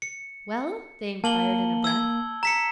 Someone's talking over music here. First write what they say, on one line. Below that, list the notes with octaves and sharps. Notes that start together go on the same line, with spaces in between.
"Well?" they inquired in a breath.
C#7
A#3 A5 F#7 G7
E6 G#6
A#5 B6 C#7